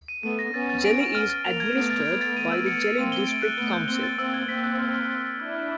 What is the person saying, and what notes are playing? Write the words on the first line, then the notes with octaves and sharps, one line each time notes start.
Jeli is administered by the Jeli District Council.
D#7
A3 B3 D#7
A#6
B3 C#4 A6
A6
D7
D7
F6
A6
A#3 F7
G#6
A3 B3 D7
A6
A3 B3 D7
A6
D#7
E6
C#7
A6
A#3 C4 D#7
G7
A3 D7
F#6
A3 B3 D7
G6
A#3 C4 G7
A6
A#3 C4 E6
G#6
A#3 C4 B6
F#6
F6
F6
A6
A6
D4 E4 F6
F6